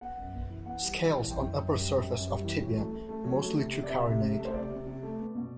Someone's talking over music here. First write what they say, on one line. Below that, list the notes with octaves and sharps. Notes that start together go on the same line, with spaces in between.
Scales on upper surface of tibia mostly tricarinate.
B3 F#5
F#2
B3
E3
B3 F#5
G3
E3
E3
F#2 G5
F#2
F#2
G3
F#2
F#2
G3
E3
F#3
A3
A3
A3
F#3
A3
C3
C3
D5
C3 E5
C3
C3
A3
C5
C3 D5
C3
C3
A3
B3
B2